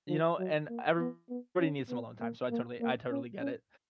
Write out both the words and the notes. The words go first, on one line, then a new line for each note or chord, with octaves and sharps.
You know, and everybody needs some alone time, so I totally I totally get it,
F3
F#3
A#3
B3
B3
C#4
B3
A#3
A#3
A#3
C#4
C#4